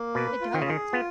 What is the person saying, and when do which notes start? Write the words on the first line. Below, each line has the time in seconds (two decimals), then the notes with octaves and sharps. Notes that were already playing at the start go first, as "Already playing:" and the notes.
It does.
Already playing: A#3
0.15 B2 B4
0.41 F4
0.54 D#3
0.62 C#3
0.66 D#3 G#4
0.92 B3 F4